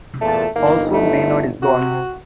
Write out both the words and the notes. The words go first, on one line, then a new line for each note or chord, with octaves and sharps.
Also Maynard is gone.
E2 A#2 A3 A5
G1 A#3 D#4
A3
C3 F#4